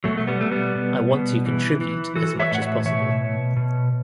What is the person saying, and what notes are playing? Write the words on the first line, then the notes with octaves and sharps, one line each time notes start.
I want to contribute as much as possible.
B2 F#3 A3
A3
G3 B3
B2 A3
G3 B3
B2
B2
E3
E3
E3 F#4 A4
C#5 E5
A2 F#5
C#5 E5
B2 C#5 E5
B2
B2